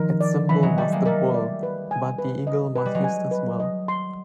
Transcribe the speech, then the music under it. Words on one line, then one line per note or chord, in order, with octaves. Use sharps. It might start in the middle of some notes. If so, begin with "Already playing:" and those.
Its symbol was the bull, but the eagle was used as well.
Already playing: D#3 F3 A#4
D5
E3 F#3 B5
F#3 G#3
G3 A3 G5
G#3 A#3
G3 A3 A#4
D5
B4
G#5
B4
D#5
G#3 B4
G3
F#3 G#3
G#5
B4
D#5
C6